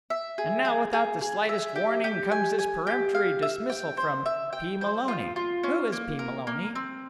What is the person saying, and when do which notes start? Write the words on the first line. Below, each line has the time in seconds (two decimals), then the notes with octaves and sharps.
And now, without the slightest warning, comes this peremptory dismissal from P. Maloney. Who is P. Maloney?
0.10 E5
0.38 G#4
0.65 G#4
0.93 G#4
1.21 G#4
1.49 E5
1.76 G4
2.04 G4
2.32 G#5
2.59 G#5
2.87 G4
3.15 F5
3.42 E5
3.70 G5
3.97 C5
4.26 E5
4.53 G5
4.81 C5
5.08 F4
5.36 F4
5.64 C#4
5.92 A#3
6.19 A#4
6.47 A#3
6.75 C4